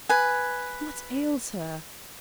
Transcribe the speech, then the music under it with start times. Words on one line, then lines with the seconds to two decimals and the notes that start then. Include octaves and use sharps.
"What ails her?"
0.09 B4 G#5